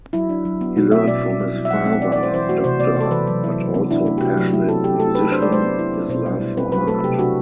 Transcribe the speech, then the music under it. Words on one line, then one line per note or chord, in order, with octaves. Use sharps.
He learnt from his father, doctor but also passionate musician, his love for art.
F#3 E4
D4
F#3
B3
B2 F#4
C4 E5
B2 D5
G3
F#3
E4
E5
F#3 F#5
C4
E3 D5
D5
E4
C5
E3 C5
A3 F#4
C3 C5
B3 D5
C3 A4
E3 B4
F#3
E4
F#3
B3
D4 E4
A3
G4
C3 F#4
F#3
E4
C4 A4
F#3 G4
A3 A4
F#3 B4
D4 C5
F#3 D5
C5
B3
E4
B3
B2 C5
G3
E4
C4 B4
F#3 B4
A3 A4
C3 G4
D4 F#4